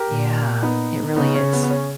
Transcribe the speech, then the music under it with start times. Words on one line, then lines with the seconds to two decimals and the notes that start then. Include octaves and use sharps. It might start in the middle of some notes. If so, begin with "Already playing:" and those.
Yeah. It really is.
Already playing: G4 A#4
0.09 A#2
0.63 B3 D#4
1.16 C#3 B3 D#4
1.35 C#4
1.53 B3
1.63 B3
1.70 C#4